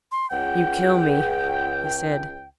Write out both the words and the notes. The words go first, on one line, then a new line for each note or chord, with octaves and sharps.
"You kill me!" he said.
C6
C#2 F#5 G5